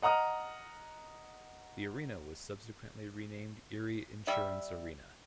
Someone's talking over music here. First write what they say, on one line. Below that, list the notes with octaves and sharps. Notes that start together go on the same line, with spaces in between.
The arena was subsequently renamed Erie Insurance Arena.
D#5 F#5 A#5 D#6 F6
G3 E5